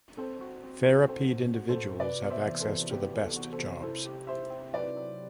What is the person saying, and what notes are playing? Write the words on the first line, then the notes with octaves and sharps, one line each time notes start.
Therapied individuals have access to the best jobs.
C4 A4 C5
F#4
C4
F#4
C4 A4 C5
A2
F#4
A4 C5
F#4
C3 B4 D5
B3
C5 E5
E3
A4 C5
E3
B3 G4 B4
E3
A4
F#4
A4 C5
C3
E4 A4 C5
G4
E4 C5 E5
C4
F#3 B4 D5
F#3